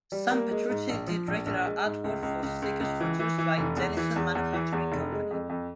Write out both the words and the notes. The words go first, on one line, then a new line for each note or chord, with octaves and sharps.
Sam Petrucci did regular artwork for stickers produced by Dennison Manufacturing Company.
G3
A#3
G#3
G#2
A#1
F3
A#1
A#1
G#3
G#2
C#2
C#2
C#2
C#2
C#2
E3
E3
E3
F1
E2
E3
E2
E2
E3
E2
F1
G#3
F2
F2